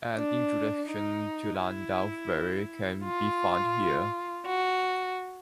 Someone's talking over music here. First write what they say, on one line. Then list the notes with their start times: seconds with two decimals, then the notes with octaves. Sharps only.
An introduction to Landau theory can be found here.
0.15 D4
0.87 D#4
1.59 E4
3.02 F4
4.46 F#4